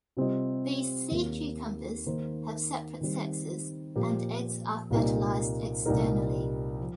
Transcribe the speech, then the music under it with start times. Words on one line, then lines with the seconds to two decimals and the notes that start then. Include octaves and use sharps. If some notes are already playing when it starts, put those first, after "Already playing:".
These sea cucumbers have separate sexes, and eggs are fertilized externally.
0.17 C3 G3 C4 F4 D#5
1.11 D#2 D#3 A#3
2.06 D#3 A#3 D#4 C5
3.01 D#3 G3 C4
3.96 A#2 F3 A#3 G4 A#4
4.90 C2 A#2 G3 A#3 D#4
5.86 C2 A#2 G3 D#4 A#4
6.80 F3